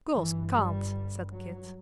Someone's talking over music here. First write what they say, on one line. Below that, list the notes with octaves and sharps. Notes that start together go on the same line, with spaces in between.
"Girls can't," said Kit.
G1 G2 E3
G3
F#3